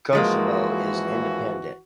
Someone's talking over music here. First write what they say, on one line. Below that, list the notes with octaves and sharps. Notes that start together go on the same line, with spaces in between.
Kosovo is independent.
G#1 E3 F3 G#3 A#3 F#4